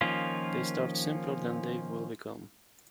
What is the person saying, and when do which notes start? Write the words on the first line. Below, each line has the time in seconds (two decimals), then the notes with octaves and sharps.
They start simpler than they will become.
0.01 D#3 F3 A#3 C#4 F4